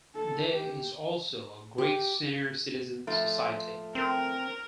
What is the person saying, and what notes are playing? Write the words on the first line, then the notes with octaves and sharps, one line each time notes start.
There is also a Greek Senior Citizen Society.
A4
G4
G4
F3 A3
C4 A#4